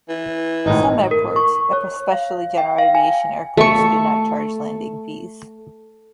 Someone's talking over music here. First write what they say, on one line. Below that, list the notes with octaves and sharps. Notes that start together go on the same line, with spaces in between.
Some airports, especially general aviation airports, do not charge landing fees.
E3
G#1 A2 D#4
A#4
C#6
C#5
F5
G5
F5
G#5
A3 C#6